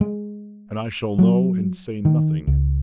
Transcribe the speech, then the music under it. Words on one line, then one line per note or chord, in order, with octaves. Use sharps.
And I shall know and say nothing.
G#3
F#3
D#3
C#2